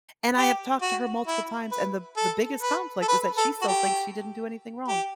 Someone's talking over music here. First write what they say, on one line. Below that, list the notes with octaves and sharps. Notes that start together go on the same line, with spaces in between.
and I have talked to her multiple times, and the the biggest conflict is that she still thinks she didn't do anything wrong.
G4
F#4
E4
B4
A4
B4
A4
B4
A4
F#4
G4
G4